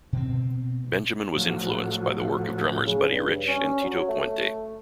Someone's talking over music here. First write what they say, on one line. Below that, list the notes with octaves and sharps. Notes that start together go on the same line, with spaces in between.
Benjamin was influenced by the work of drummers Buddy Rich and Tito Puente.
B2 C4
A2 F3 F#3
C#3
G2
C#4
F#3
A3